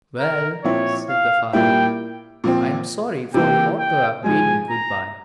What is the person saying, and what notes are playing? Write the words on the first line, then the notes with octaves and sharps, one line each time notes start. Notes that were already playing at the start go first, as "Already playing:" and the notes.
"Well," said the father, "I am sorry; for he ought to have bade me good-bye."
A#4
A#2 F3 C4 E4 C#5
F5
A#2 G3 A#3 E4 G5
A#2 F3 C4
C3 E3 A#3 G5
G5
G#2 F3 G#3 G#5
A#5